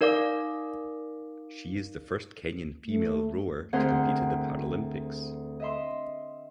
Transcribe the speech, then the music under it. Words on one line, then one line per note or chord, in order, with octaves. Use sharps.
She is the first Kenyan female rower to compete at the Paralympics.
D#4 A#4 D5 F5 D6
A3
D2 C4 G#4 A#4 C5 F#5
D#5 E5 C6